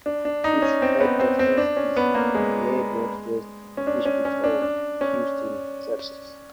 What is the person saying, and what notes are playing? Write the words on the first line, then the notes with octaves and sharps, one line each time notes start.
Its headquarters is in the Near Northwest district of Houston, Texas.
D4
D4
D#4
C#4
C4
B3
C4
C4
D4
C#4
B3
A#3
G#3
C#4
D4
C#4
C#4
D4
D4
C#4